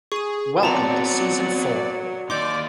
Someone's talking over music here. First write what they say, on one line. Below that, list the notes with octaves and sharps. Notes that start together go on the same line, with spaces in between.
Welcome to season four!
G#4 C#6 D#7
F#3 B3 C4 D5 A5 A#5 C6
A#3 D#4 D5 C6 D6 G6